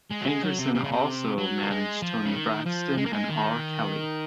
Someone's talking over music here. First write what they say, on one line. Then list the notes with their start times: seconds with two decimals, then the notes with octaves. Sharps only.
Hankerson also managed Toni Braxton and R. Kelly.
0.11 G#3
0.21 F#3
0.27 G#3
0.43 F#3
0.58 C3
0.75 C3
0.84 C#3
0.92 C3
1.38 F#3
1.62 A#3
1.70 G#3
2.02 F3
2.26 C#3
2.33 D#3
2.66 F3
2.97 G#3
3.06 A#3
3.13 G#3
3.29 D#3